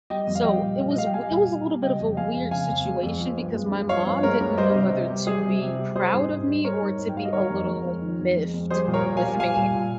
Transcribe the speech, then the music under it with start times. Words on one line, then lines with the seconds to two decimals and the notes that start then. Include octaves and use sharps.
So, it was wi it was a little bit of a weird situation because my mom didn't know whether to be proud of me or to be a little, like, miffed with me.
0.10 G3 D#5 G5
0.28 F2
0.35 F5
0.45 G3 D#5 G5
0.62 A#2
0.79 A#2
0.90 D#5
0.96 G3 F5
1.06 G5
1.14 G3 F5 G#5
1.31 A#2
1.48 A#2
1.66 G3
1.82 C#3 D#5 G5
2.00 F2
2.17 G#3 F5 G#5
2.35 F2
2.51 C#3 F5 G#5
2.69 F2
2.85 G#3
3.03 F2
3.20 F3
3.37 G2
3.55 G#3
3.72 G2
3.89 F3 C#5 F5
4.07 G2
4.23 G#3 A#4 C#5
4.41 G2
4.58 G3 C5 D#5
4.75 C3
4.92 C3
5.09 G3
5.27 G3 G#4
5.44 C3
5.62 C3
5.79 G3
5.95 G3 G#4 C5
6.13 G#2
6.30 G#2
6.47 G3
6.64 G3 A#4 C#5
6.82 G#2
6.99 G#2
7.09 G5
7.16 G3 F5
7.25 D#5
7.33 D#3 A#4 C#5
7.50 F2
7.67 G#3
7.85 F2
8.02 D#3
8.19 F2
8.36 G#3
8.54 F2
8.70 G3 G#4 C5
8.88 A#2
8.94 A#4 C#5
9.05 A#2
9.17 F5 G#5
9.23 G3
9.40 G3 F5 G#5
9.57 A#2
9.74 A#2